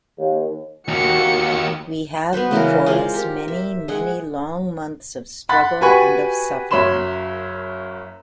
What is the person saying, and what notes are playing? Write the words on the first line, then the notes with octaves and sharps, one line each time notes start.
We have before us many, many long months of struggle and of suffering.
D#2
D#2 A#3 F#4 C#7
B3 F#4 B4 C5
C#3 E3 G#3 A#4
G#3 F4 C5 D5
G4 A#4
E5
G#3 G#4 F#5
F#5 B5 C6 F#6 A6
F#4 G4 B4 G#5 B5 C#6
F#1 F#2 C#5 B5 C6 E7